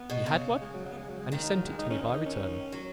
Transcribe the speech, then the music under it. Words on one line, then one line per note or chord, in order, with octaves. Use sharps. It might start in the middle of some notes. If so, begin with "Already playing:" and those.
He had one, and he sent it to me by return.
Already playing: B3
B2
C#3
G#3
F#3
F#3
B3
G#3
F#3
G#3
D#2 D#3 G#3
D#4
F#3
G#3
D#4
C#4
D#4
D#4
C#4
F#3